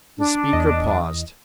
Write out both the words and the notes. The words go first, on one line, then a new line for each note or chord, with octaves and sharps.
The speaker paused.
D4
E2 D#5